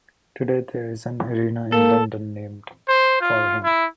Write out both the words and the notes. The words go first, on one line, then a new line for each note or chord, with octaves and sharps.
Today there is an arena in London named for him.
A#3 A4
C5
F4
E4